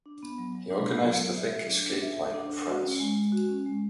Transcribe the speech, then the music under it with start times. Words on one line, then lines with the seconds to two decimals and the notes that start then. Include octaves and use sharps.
He organised the Vic escape line in France.
0.06 D4
0.23 B3
0.38 F#3
0.55 F#3
0.70 D4
0.87 B3
1.03 F#3
1.20 F#3
1.36 E5
1.52 A4
1.69 D4
1.85 D4
2.02 E5
2.18 A4
2.34 D4
2.50 D4
2.67 F#4
2.83 C#4
3.00 G#3
3.16 G#3
3.32 F#4
3.48 C#4
3.66 G#3